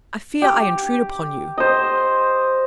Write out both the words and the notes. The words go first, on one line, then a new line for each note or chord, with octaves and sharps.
I fear I intrude upon you.'
G4
C5 D#5